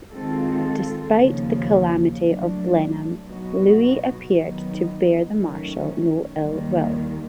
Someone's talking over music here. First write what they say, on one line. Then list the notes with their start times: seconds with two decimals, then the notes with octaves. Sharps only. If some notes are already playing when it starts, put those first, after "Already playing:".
Despite the calamity of Blenheim, Louis appeared to bear the Marshal no ill will.
0.11 D#3 G#3 C4 F4 A4
1.16 D#2 C#3 F3
2.21 F#3 A3 D4
3.25 B2 F#3 B3 D#4 F#4
4.31 D#3 F#3 B3 D#4
5.36 D#3 F#3 A3 C#4
6.41 D#2 D#3 G3 A#3